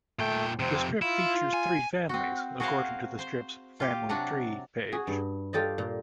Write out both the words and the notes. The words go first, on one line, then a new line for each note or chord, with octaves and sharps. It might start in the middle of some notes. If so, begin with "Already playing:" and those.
The strip features three families, according to the strip's "Family Tree" page.
A#2 A3 G5
F2 C3 C4
E4 F4
G#5
C4 F#4
F#4 G#4 A#4 C5 F5 F#5
C5
F4 G4
C3 F#3 D4 F#5 A#5
F#4 G#4
G2
F4 G4 A4 D5 D#5
A#2